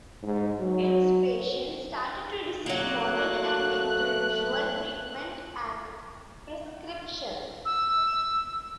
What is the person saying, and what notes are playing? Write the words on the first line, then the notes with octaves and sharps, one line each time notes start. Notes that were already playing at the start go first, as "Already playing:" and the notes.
Its patients started to receive modern and individual treatment and prescriptions.
G#2
F#3
F#3 A3 A#3 F#6
E6